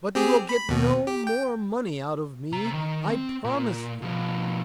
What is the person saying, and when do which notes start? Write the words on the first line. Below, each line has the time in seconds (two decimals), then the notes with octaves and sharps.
"But you will get no more money out of me, I promise you."
0.15 C4 G4 G#4
0.49 B5
0.69 D#2 B2
1.07 G4
1.27 G5
2.52 C3 A#5
2.74 D#3
3.09 C4
3.44 A#2
4.02 B2 F3